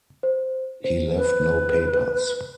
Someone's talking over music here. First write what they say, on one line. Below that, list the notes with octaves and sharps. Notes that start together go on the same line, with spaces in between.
He left no papers.
C5
C5
B4